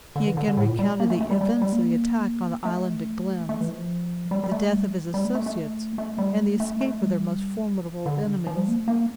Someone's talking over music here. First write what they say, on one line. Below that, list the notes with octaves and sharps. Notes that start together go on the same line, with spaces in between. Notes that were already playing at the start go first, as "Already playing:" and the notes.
He again recounted the events of the attack on the island at Glenn's, the death of his associates and the escape of their most formidable enemies.
D3
E3
D3
D3
A2
A#2
G3
A#3
A3
A3
G3
G3
G3
A#3
A3
A3
E3
F3
G3
G3
A3
G3
G3
A3
A3
A3
A3
G3
A3
A3
A3
G3
D3
F3
G3
A#3
A3
A#3